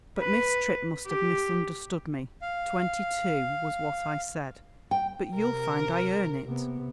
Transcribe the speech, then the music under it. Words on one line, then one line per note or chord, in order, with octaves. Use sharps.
But Miss Tripp must have misunderstood me; twenty-two was what I said, but you'll find I earn it.
B4
G4
F5
G5
C3 A#4
C3 B3